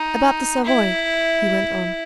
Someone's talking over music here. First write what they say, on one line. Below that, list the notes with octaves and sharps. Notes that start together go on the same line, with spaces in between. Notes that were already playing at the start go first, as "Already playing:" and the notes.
"About the Savoy," he went on.
Already playing: D#4
E4